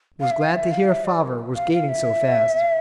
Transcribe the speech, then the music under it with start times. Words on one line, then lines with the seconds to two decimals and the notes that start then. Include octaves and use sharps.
Was glad to hear father was gaining so fast.
0.20 F5
0.31 E5
0.41 F5
0.54 E5
0.71 F5
0.88 E5
1.05 D5
1.22 A#4
1.55 F5
1.72 F5
1.89 E5